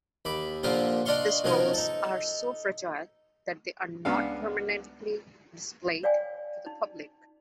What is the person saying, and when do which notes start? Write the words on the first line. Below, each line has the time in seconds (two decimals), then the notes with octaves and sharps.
The scrolls are so fragile that they are not permanently displayed to the public.
0.25 D#2 B5 D6
0.63 A#2 D3 F3 A#3 F4 G4
1.06 D4 D5 D#5 F5 C6 C#6
1.44 B2 D#3 F3 C#4 D#4 A#4
1.74 D#4 A4
4.05 C#2 B3 D4 F5
6.03 C#5 D5 F5 G5 G#5
6.66 D#4